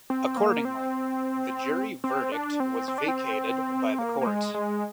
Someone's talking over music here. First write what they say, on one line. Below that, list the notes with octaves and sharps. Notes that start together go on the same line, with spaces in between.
Accordingly, the jury verdict was vacated by the Court.
C4
A#3
C4
C4
D4
C4
C4
D4
C4
A#3
A#3
G#3
G#3